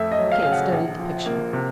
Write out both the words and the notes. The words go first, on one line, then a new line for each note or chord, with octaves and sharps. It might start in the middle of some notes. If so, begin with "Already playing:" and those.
Kate studied the picture.
Already playing: F2 A3 E5
D#5
F#3
F5
C#3 F5
F#5
A#1
F3
A#3
C3